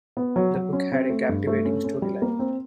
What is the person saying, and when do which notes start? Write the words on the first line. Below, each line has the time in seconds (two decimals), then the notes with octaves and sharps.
The book had a captivating storyline.
0.17 B3
0.36 F#3
0.55 F#3
0.73 C#4
0.92 C4
1.10 A3
1.29 G2
1.47 A3
1.65 C#4
1.84 C#4
2.02 G3
2.22 A#3
2.39 C4